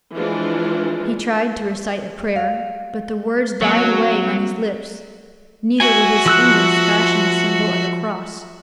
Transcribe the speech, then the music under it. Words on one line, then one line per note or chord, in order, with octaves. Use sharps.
He tried to recite a prayer, but the words died away on his lips--neither would his fingers fashion the symbol of a cross.
E3 F3 G#3 D4 F4
F5
F#3 A#3 C4
F#4 E5 G#5
F3 E6 F#6